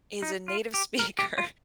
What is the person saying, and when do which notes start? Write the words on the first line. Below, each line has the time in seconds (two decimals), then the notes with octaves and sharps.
is a native speaker
0.22 D#4
0.48 F4
0.74 G4
0.99 A#4
1.19 G4
1.38 F4